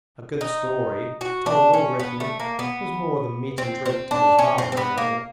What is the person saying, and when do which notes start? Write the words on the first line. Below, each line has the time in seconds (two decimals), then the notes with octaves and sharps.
A good story, told or written, was more than meat and drink to his father-in-law.
0.41 D#4
1.21 F#4
1.46 D4
1.73 C#4
1.99 B3
2.20 A3
2.40 A#3
2.59 B3
3.58 C4
3.86 C4
4.11 D4
4.39 C#4
4.58 C4
4.72 C4
4.77 B3
4.98 A#3